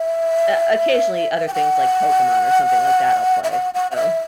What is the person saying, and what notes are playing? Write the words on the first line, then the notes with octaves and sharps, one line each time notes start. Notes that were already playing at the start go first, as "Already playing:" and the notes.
uh, occasionally, other things like Pokemon or something like that, I'll play, so
Already playing: E5
G5
F#5
E5
F#5
F#5
F#5
E5